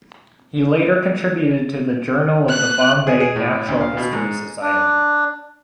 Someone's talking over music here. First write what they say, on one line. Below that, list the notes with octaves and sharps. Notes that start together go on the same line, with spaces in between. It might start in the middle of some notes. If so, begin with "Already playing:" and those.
He later contributed to the "Journal of the Bombay Natural History Society".
F#6
G#4
G#4
A2
D2
F5
B2
G#2
D4